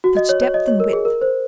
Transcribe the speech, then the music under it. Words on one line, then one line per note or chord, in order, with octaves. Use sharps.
Such depth and width!
F#4
D#5
C#5
C#5
D#5
C#5
A#4
G#4
A#4
C5